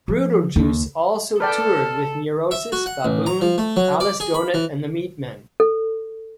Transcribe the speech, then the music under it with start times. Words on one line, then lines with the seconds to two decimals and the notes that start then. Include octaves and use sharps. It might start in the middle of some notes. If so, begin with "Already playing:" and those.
Brutal Juice also toured with Neurosis, Baboon, Alice Donut and The Meatmen.
0.08 F3
0.56 D#2
1.40 A4 B4 D5 G5 A5 F6
2.51 E5
2.72 F#4
2.86 F#5
3.05 A1
3.26 A#5
3.42 F3
3.58 A3
3.76 F#3
4.00 D5
4.20 G#4
4.34 B5
4.54 E3
5.60 A4